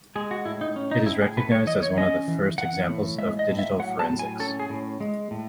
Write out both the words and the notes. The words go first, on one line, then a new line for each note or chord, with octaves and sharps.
It is recognized as one of the first examples of digital forensics.
G#3 G#4
F#4
A2 E4
D#4
C#4
D#4
A2 E4
G#4
A3 B4
C#5
E3 D#5
C#5
C#4 D#5
E3
E3 F#5
A2
G#3 E5
D#5
A2
E5
F#3 F#5
A5
A2
G#5
C#4 A4
G#4
A2
G#3
A2